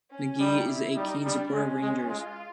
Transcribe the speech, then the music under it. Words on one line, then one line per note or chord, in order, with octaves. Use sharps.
McGee is a keen supporter of Rangers.
C#4
G3 D#4
E4
G3 D#4
G3 D4
G#3 C#4
G#3
G#3 F4